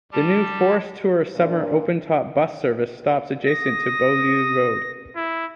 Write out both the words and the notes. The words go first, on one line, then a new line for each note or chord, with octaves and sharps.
The New Forest Tour summer open top bus service stops adjacent to Beaulieu Road.
G3 G4 A5
A#2 D4 A#4
D#6 A#6
E4